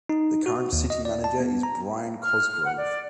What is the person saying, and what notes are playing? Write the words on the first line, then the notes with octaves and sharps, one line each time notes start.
The current city manager is Bryan Cosgrove.
D#4
F#4
D#2
D#5
D5
A5
B3
A#5
F6
F#5
D5